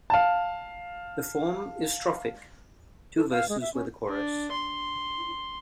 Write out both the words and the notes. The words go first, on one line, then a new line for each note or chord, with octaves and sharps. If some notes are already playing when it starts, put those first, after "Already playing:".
The form is strophic, two verses with a chorus.
F5 A5
A4
F5
G#3
E5
C#4
D4
C6